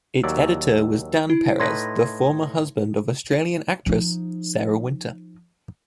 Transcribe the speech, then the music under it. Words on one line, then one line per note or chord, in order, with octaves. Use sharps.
Its editor was Dan Peres, the former husband of Australian actress Sarah Wynter.
D#2 F#3 D5 E6
E4
A2 D#4 B4 C6 G#6 A#6
F3 D#4